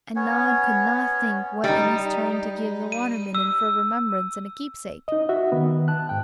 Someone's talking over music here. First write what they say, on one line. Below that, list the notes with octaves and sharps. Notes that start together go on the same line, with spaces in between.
And Nod could not think what in his turn to give the Water-midden for a remembrance and a keepsake.
B3 C#4 C#5
G3 D#4
D#7
E6
D#4 D#5
F#4 E5
D#3 B3
A5 F#6
G#2 G5